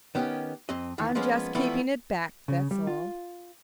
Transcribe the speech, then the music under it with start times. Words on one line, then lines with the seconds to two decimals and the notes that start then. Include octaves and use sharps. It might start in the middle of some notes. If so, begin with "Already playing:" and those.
"I'm just keeping it back, that's all."
0.15 D#3 B3 C#4 G4
0.69 F2 C4 D#5
0.98 D#2 D#3 E3
1.15 F3 G#3 A#3 B3 C#4
1.55 E3 F3 G3 A3 B3 E4
2.48 C#3
2.71 G3
2.87 F4